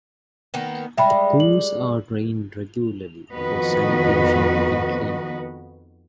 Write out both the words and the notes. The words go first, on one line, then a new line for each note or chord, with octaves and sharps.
The pools are drained regularly for sanitation and cleaning.
D#3 A#3 B3
G3 G#3 E5 G5 B5
F#7
F2 D#3 B3 F#4 B4 D#5